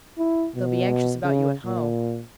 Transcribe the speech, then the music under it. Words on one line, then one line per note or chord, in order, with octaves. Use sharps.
They'll be anxious about you at home.
E4
B2
C#3
A#2